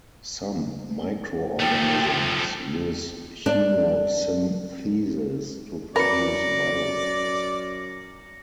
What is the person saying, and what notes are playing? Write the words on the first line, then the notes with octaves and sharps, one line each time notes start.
Some microorganisms use chemosynthesis to produce biomass.
F3 A3 G5
D4
F#2 A#4 B4 D5 A#6 C#7